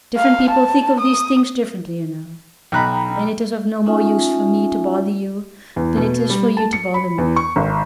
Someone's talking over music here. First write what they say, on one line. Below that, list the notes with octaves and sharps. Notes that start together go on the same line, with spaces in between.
Different people think of these things differently, you know, and it is of no more use for me to bother you than it is for you to bother me.
F5
A5
D#6
B1 D#4 G5 A#5 B5 F#6
A3 C#4 D#4 F4 E5 G#5
E2
B2
G3
A5
C#7
B5
E2
C#6
G#1